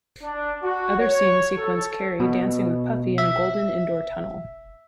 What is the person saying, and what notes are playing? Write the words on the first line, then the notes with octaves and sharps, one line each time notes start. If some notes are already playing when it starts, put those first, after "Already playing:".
Other scenes sequence Carey dancing with Puffy in a golden indoor tunnel.
D4
F#4
C#5
A4
B2
E5